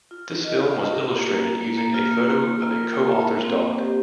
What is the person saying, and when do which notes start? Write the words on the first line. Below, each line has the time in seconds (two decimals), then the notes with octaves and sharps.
This film was illustrated using a photo of a co-author's dog.
0.11 F4
0.28 F4
0.44 D#5
0.60 F4
0.77 G4
0.94 A#4
1.11 A#3
1.27 A#3
1.43 A#3
1.61 A#3
1.77 A#3
1.94 F4
2.12 A#3
2.27 A#3
2.44 A#3
2.61 F4
2.78 A#4
2.95 A#3
3.12 A#3
3.27 A#3
3.44 C4
3.61 C5
3.79 G4